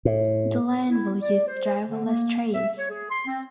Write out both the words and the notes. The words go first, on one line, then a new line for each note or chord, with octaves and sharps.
The line will use driverless trains.
A2
E4
D5
C5
D3
A#3
E5
C#5
G#4
C6
C4